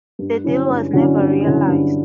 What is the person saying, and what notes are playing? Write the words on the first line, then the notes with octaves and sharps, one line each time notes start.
The deal was never realised.
G2
D3 F#3 C#4 E4
G2
D3 F#3 C#4 E4
G2
D3 F#3 C#4 E4
G2